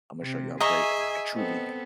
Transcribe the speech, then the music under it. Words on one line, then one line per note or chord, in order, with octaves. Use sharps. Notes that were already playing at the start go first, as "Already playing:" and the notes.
Imma show you how great I truly am."
C3
G#4 D#5 E5 G#5 A#5 C#6
B3 C4 A4